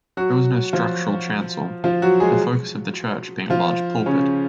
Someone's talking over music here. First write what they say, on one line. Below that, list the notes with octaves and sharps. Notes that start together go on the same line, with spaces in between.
There was no structural chancel, the focus of the church being a large pulpit.
F#3 F#4
F3 F4
F3 F4
F#3 F#4
G#3 G#4
F3 F4
C#3 C#4